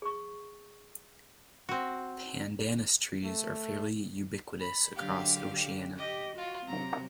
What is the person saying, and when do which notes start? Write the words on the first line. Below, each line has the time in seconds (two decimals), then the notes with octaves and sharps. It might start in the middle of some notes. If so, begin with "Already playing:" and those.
"Pandanus" trees are fairly ubiquitous across Oceania.
0.02 G#4 C#6
1.69 C4 F#4
3.25 A3
4.60 B5
4.96 D3 F#3 G4 F5 G5
5.98 G4 D#5
6.38 F4 F#4
6.67 C3 F#3 C4 A#5